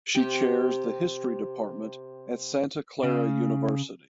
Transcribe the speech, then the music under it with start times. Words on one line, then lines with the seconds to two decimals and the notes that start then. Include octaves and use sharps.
She chairs the history department at Santa Clara University.
0.15 C3 G4
3.03 C#3